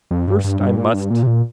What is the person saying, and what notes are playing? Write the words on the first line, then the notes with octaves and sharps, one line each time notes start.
First I must.
F2
G2
G2
G2
A#2
G2
A#2
C3
A#2